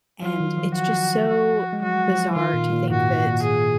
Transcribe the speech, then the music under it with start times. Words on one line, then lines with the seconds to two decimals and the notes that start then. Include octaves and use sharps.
and it's just so bizarre to think that,
0.22 F#3 F4
0.40 D#3
0.58 F3
0.75 F#4
1.29 F#4
1.73 G#3
1.82 F#3 F#4
2.10 F3
2.31 F3
2.36 D#3 F4
2.53 A#2
2.72 A#2
2.89 G#2 F#4
3.25 A#2
3.43 G#4